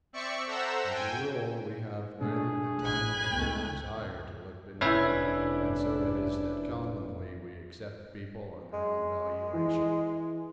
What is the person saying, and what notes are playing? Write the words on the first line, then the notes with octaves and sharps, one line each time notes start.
As a rule we have neither the time nor the desire to look beneath it, and so it is that commonly we accept people on their own valuation.
C4 D5 E5 C#6 C#7
A4 C5 E5 F#5 A#5 E6
G5 G#5
B2 A3 D4 G#4
A1 G#5 B5 F#6
C#2 D#3 A3 B3
F1 C#4 D4 E4 B4 E5 G#6
G#3
E3